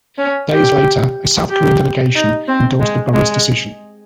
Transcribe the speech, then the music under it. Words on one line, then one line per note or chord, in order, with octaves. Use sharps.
Days later, a South Korean delegation endorsed the borough's decision.
C#4
G4
G4
D#4
C4
G#3
G#3